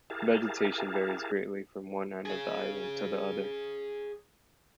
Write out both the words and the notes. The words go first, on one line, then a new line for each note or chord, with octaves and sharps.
Vegetation varies greatly from one end of the island to the other.
E4 G4 G#4 A#4 F5 A5
G#4 C#5